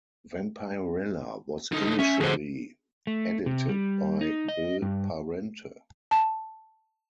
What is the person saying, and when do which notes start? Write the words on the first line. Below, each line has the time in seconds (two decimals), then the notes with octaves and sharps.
"Vampirella" was initially edited by Bill Parente.
1.72 D3 D#4
1.99 C#4 E5
2.20 F2 D3 G#4 C5
3.07 A3
3.46 C3
3.69 G3
4.21 D#4
4.49 D#5
4.82 G2
6.11 A5